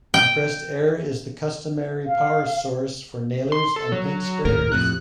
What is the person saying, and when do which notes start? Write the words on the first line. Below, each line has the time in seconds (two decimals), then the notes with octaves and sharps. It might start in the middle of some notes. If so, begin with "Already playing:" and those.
Compressed air is the customary power source for nailers and paint sprayers.
0.14 G5
2.06 F5
3.52 C6
3.76 A4
3.92 F#3
4.45 G#1 D#2 A2 A#4
4.72 F2 A2 C3 F#6